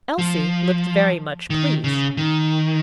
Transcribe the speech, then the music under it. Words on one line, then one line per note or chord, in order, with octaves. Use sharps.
Elsie looked very much pleased.
F3
D#3
C#3
D#3